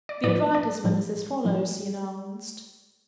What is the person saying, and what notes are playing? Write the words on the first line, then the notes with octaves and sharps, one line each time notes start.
"The advertisement is as follows," he announced.
D5
A2 F3 D5
D5
A2 F3
A2 F3